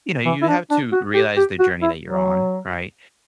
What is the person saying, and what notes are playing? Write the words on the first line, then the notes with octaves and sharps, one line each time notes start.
you know, you have to realize the journey that you're on, right?
E3
E4
D4
D4
F#4
G4
G4
F#4
E4
F#3